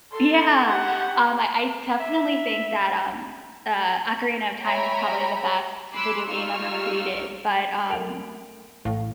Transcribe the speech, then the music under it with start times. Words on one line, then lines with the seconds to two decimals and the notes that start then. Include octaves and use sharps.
Yeah. Um, I I definitely think that, um, uh, Ocarina of Time is probably the best video game ever created. But, um,
0.12 A4 C6
0.68 G4 F#5
2.00 E5
4.62 C#5 E5 G5 G#5 A#5 B5
5.93 G#5 B5 C6 D6 E6 F#6
6.28 G3 D#4 F4 C#6 E6 F6
7.90 A3 A#4 D7 F7
8.85 A1 A2 F5